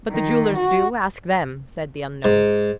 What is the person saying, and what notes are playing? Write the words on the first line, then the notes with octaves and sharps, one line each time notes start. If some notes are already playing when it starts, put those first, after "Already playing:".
"But the jewelers do: ask them," said the unknown.
D#3
F#4
G#2